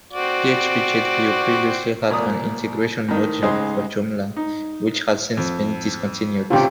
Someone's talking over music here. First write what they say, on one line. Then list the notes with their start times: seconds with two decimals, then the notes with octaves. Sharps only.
PhpGedView previously had an integration module for Joomla which has since been discontinued.
0.13 C4 F#4 D5
2.10 C2 A#2 D5 D#6
3.08 A2 D#3
3.42 C#2 G#3 D#4 G#4 C5
4.37 D#4
5.37 F2
6.50 C#2 A2 C3 F4 G4